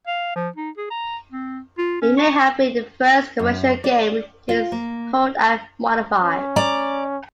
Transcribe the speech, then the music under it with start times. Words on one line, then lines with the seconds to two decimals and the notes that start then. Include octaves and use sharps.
It may have been the first commercial game to use Hold-And-Modify.
0.07 F5
0.35 F3
0.56 D#4
0.77 G#4
0.90 A#5
1.32 C4
1.78 F4
2.02 C#4
2.17 C#6
3.39 F#2
3.84 D5
4.49 F4
4.72 A#3
6.22 C#4
6.56 D5 A#5